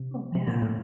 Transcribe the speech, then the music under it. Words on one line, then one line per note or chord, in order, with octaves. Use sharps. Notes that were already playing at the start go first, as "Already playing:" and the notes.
Oh, yeah.
Already playing: C3
C3
A#2
A2